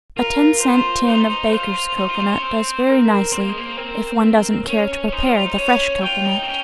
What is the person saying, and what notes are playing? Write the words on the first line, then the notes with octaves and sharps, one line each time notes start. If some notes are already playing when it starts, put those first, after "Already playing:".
A ten-cent tin of Baker's cocoanut does very nicely if one doesn't care to prepare the fresh cocoanut.
F4 A#4
C5
D#4 C5
D#4
F4 C5
D#4
F4
D#4
F4
C#4
C4
A#4
C4 C5
A#3
G#3
A#3
C4 A#4
C#4 C#5
C#4
D#4 C5
F4
F4
D#4
C#4 C#5
F4 G5
D#4
C4
C#4